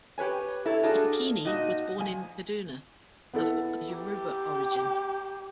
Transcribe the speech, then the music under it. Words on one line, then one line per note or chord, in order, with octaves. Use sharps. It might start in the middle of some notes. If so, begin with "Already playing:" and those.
Yekini was born in Kaduna, of Yoruba origin.
G4 B4 C#5 G#5
E4 A4 C#5
D4 F4 F#4 G#4 A4
A#2 D#4 F#4 D#5 A5
F3 G#5
B3 E4 A4
G4